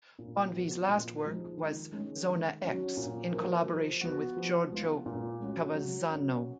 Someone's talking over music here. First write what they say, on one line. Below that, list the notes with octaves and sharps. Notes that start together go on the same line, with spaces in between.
Bonvi's last work was "Zona X", in collaboration with Giorgio Cavazzano.
A#2
F3 B3 F#4
A#2
F3 G#3 D#4
D#3
G#3 C#4
D#3
F#3 C#4 F#4
A#2
F3 A#3
F3
B3 F#4
F3
G#3 B3 F4
A#2
G#3 C#4 F#4
F#3
C#4 F#4